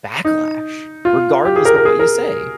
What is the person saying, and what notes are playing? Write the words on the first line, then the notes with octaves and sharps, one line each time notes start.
backlash regardless of what you say.
D#4
F4
G4
G#4
A#4
A#4
G#4
A#4